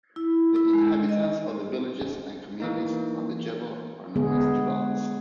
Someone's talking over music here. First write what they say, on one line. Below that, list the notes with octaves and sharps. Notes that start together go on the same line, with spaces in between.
The inhabitants of the villages and communities on the jebel are known as "jibalis".
E4
E4
G#3
D#5
E3 A#3 D#4
D3 G#3 B3 G#4